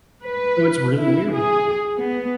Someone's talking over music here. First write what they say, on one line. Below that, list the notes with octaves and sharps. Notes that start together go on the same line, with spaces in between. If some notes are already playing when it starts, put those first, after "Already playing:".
So it's really weird.
B4
E4
G#4
B3